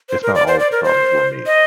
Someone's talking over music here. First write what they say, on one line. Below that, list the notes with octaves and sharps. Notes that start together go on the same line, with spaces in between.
if not all of the problems, were me.
C5
A#4
D5
C5
D5
A#4
C5
D#5